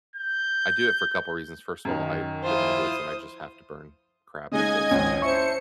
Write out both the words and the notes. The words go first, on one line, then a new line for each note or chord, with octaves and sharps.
I do it for a couple of reasons: first of all, I live in the woods, and I just have to burn crap because
G6
F#2 D#3
F3 E4 F4 C5 D#6
C#3 G#3 D#4 D#5 G#5 G#6
G#1 C#2 C#4
E4 C5 A5 C#6 C#7